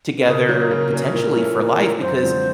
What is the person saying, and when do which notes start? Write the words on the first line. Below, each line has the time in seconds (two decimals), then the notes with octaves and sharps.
together potentially for life because
0.18 B4
0.27 C#3 A#4
0.48 F#3 A#3 C#4
0.71 C#3
0.92 F#3 A#3 C#4
1.14 A#2 A#4
1.35 F3 A3 C#4 E4
1.58 A#2
1.79 F3 A3 C#4 E4
2.01 F#2 C5
2.23 D3 F3 G#3 C4